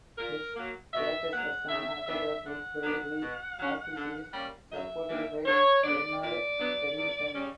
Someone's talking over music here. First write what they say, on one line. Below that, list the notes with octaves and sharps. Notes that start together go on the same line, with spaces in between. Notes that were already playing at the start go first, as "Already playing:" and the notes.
Its status as an autograph work by the artist is supported by Bernard Berenson.
A#2 A#4
F#3 A#3
B2 E5
F#3 A#3 F#5
C#3 E5
E3 B3 D4 E5
D3 F#5
F#3 B3 D4
B2
F#3 C#4
D3
G3 A#3 C#4
F#2 E5
E3 G3 A#3 D4
D3 C#5
F#3 B3 D4 D5
A#2 D5
F#3 B3 D4
E2
C#3 G3 C#4